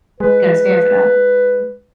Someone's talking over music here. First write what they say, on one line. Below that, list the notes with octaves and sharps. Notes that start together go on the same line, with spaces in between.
gonna stand for that.
G#3 B4